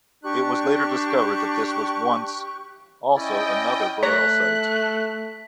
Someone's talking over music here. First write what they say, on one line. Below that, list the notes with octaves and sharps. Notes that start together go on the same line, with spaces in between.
It was later discovered that this was once also another burial site.
D4 G4 C#6 F#6
C#4 E4 D5 D#5 G5
A3 C#5 D5 A#5 F#6 B6